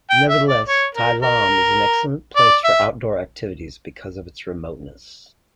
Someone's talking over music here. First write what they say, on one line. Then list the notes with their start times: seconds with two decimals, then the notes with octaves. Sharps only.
Nevertheless, Tai Lam is an excellent place for outdoor activities because of its remoteness.
0.10 G5
0.29 E5
0.48 D5
0.66 C#5
0.95 A#4
1.22 A#4
2.36 D5
2.64 E5